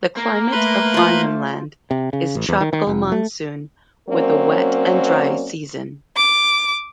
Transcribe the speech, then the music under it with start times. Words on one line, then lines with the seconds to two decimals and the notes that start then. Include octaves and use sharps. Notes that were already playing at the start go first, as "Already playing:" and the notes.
The climate of Arnhem Land is tropical monsoon with a wet and dry season.
0.17 A#3
0.52 A3 B4 B5 C6
0.94 F4 C5
1.91 C3
2.13 C#3
2.35 A1
2.49 E2
2.61 D#3
2.73 D#3
2.87 F1
3.12 A3
4.09 F#3 A#3 C4 C#4 A#4 D5
6.16 D6